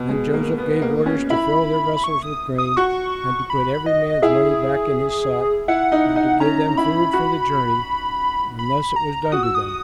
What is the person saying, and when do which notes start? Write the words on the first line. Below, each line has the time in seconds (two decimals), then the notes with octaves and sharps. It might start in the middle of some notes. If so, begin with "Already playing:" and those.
Then Joseph gave orders to fill their vessels with grain and to put every man's money back in his sack and to give them food for the journey; and thus it was done to them.
Already playing: B2
0.09 G#3
0.34 A#3
0.58 B3
0.82 A#3
1.06 C#4
1.30 E4 B5
1.97 B5
2.04 C#6
2.22 D#6
2.58 D#6
2.76 F#4 C#6
3.50 B5
3.86 D#5
4.22 E4 G#4
5.68 E4 F#5
5.92 D#4
6.16 D#4
6.40 C#4 A#5
6.77 E4 B5
7.13 F#4
8.59 B5
8.96 A#5
9.32 F#4 D#6
9.43 E6
9.55 D#6
9.68 D#6